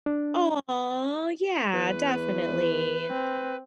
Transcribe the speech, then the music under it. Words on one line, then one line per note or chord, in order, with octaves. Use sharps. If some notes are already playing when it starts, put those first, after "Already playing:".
Aw, yeah, definitely,
D4
E2 B4
C4